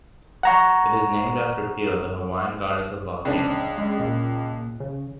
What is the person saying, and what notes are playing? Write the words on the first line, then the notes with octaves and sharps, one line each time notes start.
It is named after Pele, the Hawaiian goddess of volcanoes.
F#5 A#5 C#6
C#2 D4
G#3
A#2
C#3